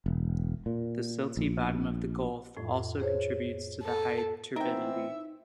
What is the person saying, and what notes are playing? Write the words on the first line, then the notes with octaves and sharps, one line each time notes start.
The silty bottom of the gulf also contributes to the high turbidity.
E1
A#2
A#1
F2 A2
G#4 C5 C#5
A4
E3 B3 C4 D#4 A#4 E5 G5